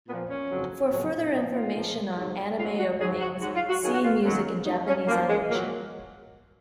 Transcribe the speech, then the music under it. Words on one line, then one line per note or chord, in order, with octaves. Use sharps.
For further information on anime openings, see Music in Japanese animation.
A#2 F3 B3
C#4
F2 C#3 F#3
F2 C#3 F#3
A#2 F3 D#4
F4
A#2 F3
G#2 F#3
G#2 F#3 F4
F#4
G#2 F#3 G#4
F#4
G#2 F#3 F#4
F4
F#4
F#2 D#3 F#3 G#4
F#4
F4
F#2 D#3 F#3
F#2 F3 D#4
C#4
F#2 F3 A#3
G#3
A#2 F#3 A#3